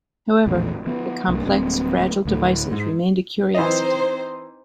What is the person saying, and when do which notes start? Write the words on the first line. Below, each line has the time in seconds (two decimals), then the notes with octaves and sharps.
However, the complex, fragile devices remained a curiosity.
0.46 A#1 E2 A2
0.86 F3 B3
1.28 C2 G2 A#3
1.46 D1 G3 A#3 C4
2.25 D2 A2
2.71 G#2
3.54 E3 C4 D#4 C5 D#5